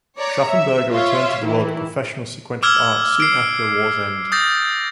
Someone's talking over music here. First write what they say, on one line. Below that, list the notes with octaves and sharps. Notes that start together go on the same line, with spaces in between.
Schaffenberger returned to the world of professional sequential art soon after war's end.
C#5 D5 A#5
E5
F4 C#5 E5
D#3 E3 E4
D6 E6 F6 G#6 G7
C7 D7
D#6 G6 A6 A#6